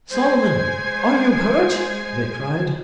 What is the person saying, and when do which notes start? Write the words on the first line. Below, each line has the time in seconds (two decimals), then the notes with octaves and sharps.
"Solomon! are you hurt?" they cried.
0.10 G#3 C5 G#5 G#6